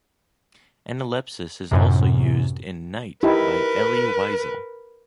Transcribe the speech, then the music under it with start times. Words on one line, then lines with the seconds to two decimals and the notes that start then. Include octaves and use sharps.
Analepsis is also used in "Night" by Elie Wiesel.
1.71 F#2 A2 C3
3.23 D#4 E4 G4 A#4 B4